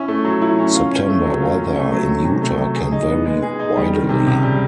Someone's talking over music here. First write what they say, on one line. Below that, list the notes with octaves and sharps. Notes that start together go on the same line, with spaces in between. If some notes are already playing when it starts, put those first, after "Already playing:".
September weather in Utah can vary widely.
Already playing: C#4 E4
A3
F#3
E4
C#4
F4
C#4
A3
F#3
F4
C#4
A3
F#3
D#3
C3
A3
F#3
G#4
D#4
B3
G#3
G#4
D#4
G3
D#3
C3
C#2
G3